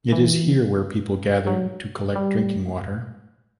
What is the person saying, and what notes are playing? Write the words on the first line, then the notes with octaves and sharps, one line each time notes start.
It is here where people gathered to collect drinking water.
E3
F#3
G3